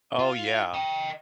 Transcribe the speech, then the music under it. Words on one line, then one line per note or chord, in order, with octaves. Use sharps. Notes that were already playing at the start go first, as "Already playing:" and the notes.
Oh, yeah.
F4
D#5 G5